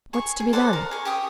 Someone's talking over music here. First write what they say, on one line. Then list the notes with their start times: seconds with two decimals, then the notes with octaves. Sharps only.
What's to be done?
0.13 G#4 C#6
0.40 G#4
0.53 A4 C5 D5 F#5
0.73 A#4
0.91 G#4 C#6
1.05 G4 C#6 D#6